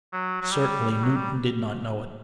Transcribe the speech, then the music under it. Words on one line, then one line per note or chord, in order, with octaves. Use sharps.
Certainly Newton did not know it.
F#3
F#3
G3
G3
F#3
G3